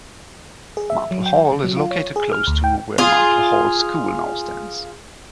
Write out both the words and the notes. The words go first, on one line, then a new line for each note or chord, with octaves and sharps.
Marple Hall is located close to where Marple Hall School now stands.
G#4
E5
F#3
G5
C#3
F#3
F4
C#5
G#4
F6
D2
G5
F4 G#4